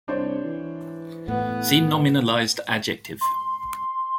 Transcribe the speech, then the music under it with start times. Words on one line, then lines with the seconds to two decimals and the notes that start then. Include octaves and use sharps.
See nominalized adjective.
0.08 C2 D4 C5 C#5
0.44 E3
1.28 A2 B3
3.21 C6